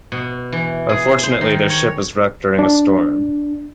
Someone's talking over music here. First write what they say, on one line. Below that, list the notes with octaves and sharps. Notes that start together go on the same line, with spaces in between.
Unfortunately, their ship is wrecked during a storm.
B2
E3
G#4
C5
D#3
C#5
D4